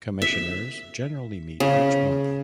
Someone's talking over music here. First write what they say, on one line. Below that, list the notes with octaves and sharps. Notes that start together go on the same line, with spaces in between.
Commissioners generally meet each month.
E5
C#3